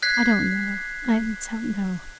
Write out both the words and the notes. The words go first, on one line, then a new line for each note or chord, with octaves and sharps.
"I don't know, I don't know."
F#6 G#6 B6 C7